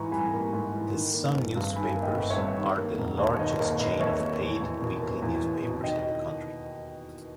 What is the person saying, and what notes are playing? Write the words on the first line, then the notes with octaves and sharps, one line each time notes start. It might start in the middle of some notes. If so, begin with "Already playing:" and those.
The Sun Newspapers are the largest chain of paid weekly newspapers in the country.
Already playing: G#2 E3 G#5 A#5 B5 C#6
G3 G#5 B5
A#3
G#2
E3
D#3
A#3
G1
G2
D#3 G#5 B5
A#3
D#5 G5
G1
C#5 E5
G2
D#3
A#3
E1
D#2
C#5
D#3 B4 D#5
A#3 A#4 C#5
E1 B4 D#5
D#2 C#5 E5
A#3
E2
E2
B2
A#3
E2
E2
B2
D#3 D#5 G5